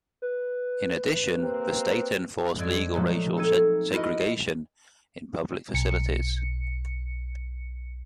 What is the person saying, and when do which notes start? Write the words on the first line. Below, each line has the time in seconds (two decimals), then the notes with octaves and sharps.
In addition, the state enforced legal racial segregation in public facilities.
0.22 B4
1.40 A#3 C4 G4
2.58 F2 G#3 D5 G#6 D7
2.95 A#2 F3 F#3 G#3 A3
3.36 C4 D#4 A4 A#5 G#6 D#7
3.93 E4 F#4 A#4 B4 D#5
5.74 B1 C#7